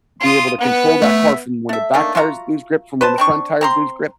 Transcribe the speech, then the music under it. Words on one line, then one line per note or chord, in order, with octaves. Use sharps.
be able to control that car from when the back tires lose grip, from when the front tires lose grip.
F4 C6 D#6
B3 B4 F#5
A3 E5
A3 E5
A3 A#3 D4 D#4
F4 F#4 E5 A#5
B4 C5 A5
C4 D4 C#6
C4 A#5 C6